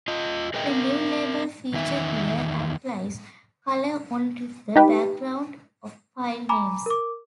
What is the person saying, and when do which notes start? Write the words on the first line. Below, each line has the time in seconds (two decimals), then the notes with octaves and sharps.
The new label feature here applies color only to the background of file names.
0.08 F4 D#5
0.54 G#4 A#4 B4 D#5 E5 G5
0.69 C4 A#4
1.73 E2 D#3 D#4 E5
4.76 D#4 G4 B4
6.49 G#5 A#5 B5 D6
6.86 A#4 D6